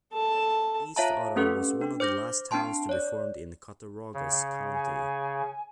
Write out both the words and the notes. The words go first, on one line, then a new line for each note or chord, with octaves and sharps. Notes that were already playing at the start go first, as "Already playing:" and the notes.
East Otto was one of the last towns to be formed in Cattaraugus County.
A4 A5
F4 C#5 E5 F5 A5 A#5
A3 C4 C#4 G4 A4 B4
D4
C5 D6 G6 A#6
C4 D4 G5 A5 C6
C#5 D5
C#3
G#5